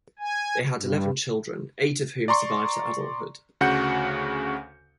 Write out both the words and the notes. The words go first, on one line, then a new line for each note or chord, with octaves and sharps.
They had eleven children, eight of whom survived to adulthood.
G#5
G2
D5 A#5 C6 C#6
D2 C#3 F#4 F#5 G6 C#7